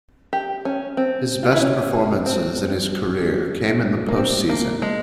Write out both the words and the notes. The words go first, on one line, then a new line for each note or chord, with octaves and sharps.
His best performances in his career came in the postseason.
G4
C#4
C4
F4
E4
C#4
C4
A#3
C4
A#3
G#3